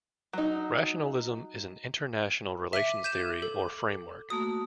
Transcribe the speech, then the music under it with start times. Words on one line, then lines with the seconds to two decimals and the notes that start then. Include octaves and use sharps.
Rationalism is an international relations theory or framework.
0.33 F#3 D#4
2.73 E5 D6 B6 D#7
3.04 G6 D#7 E7
3.42 A4
4.30 A3 A#3 F#4 D#6